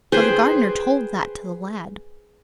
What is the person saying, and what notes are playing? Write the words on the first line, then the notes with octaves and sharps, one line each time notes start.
So the gardener told that to the lad.
G#4 B4 C5 G5